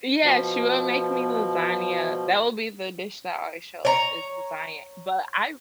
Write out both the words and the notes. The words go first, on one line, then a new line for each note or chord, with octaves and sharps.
Yeah, she will make me lasagna that will be the dish that already shows is lasagna, but I
B2 F3
C#5 A#5